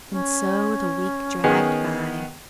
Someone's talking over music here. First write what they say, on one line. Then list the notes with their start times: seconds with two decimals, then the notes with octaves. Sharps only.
And so the week dragged by....
0.11 C#4
1.44 D#3 B3 G#4